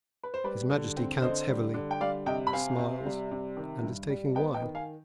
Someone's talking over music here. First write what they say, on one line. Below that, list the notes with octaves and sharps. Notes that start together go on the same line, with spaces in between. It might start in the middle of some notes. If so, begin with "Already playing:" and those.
His Majesty counts heavily, smiles, and is taking wine.
B4
C5
G3 B4 D5
D3
C4
D3 C5 D#5
G3
D3
G5
G3 D5 F5
C3 D#5 G5
B5
C4 F5 G#5
C3
G3
C3
D#3
G2
G3
B3 D#5 G5
D#5 G5
D#3
F5 G#5